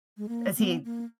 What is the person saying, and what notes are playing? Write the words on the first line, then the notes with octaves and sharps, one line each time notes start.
Is he
G#3
A#3
B3
A#3